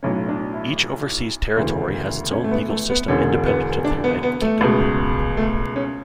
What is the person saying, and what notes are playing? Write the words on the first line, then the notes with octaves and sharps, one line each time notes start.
Each overseas territory has its own legal system independent of the United Kingdom.
B1 A2 F#3 C#4
D4
E4
E1 D2 C#3 E3
C#4
A3
B3
A3
B3
E1 E2 D3 G#3 C#4
B3
D4
B3
B3
A3
C#2 B2 G#3
A3
C#4